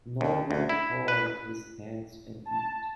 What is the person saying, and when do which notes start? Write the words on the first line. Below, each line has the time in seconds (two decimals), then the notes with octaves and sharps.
Nor would it thaw out his hands and feet.
0.21 D#2
0.51 D2
0.69 E4
1.08 B4
2.46 A5